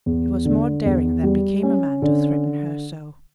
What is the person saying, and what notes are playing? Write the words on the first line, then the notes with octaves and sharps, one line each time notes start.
It was more daring than became a man to threaten her so.
E2
D3
E2
G3
C#4
D3